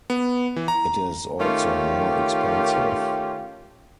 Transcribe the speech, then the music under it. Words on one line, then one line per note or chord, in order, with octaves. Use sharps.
It is also more expensive.
B3
E3
A#5
D#3 A3 C#4 F4 G4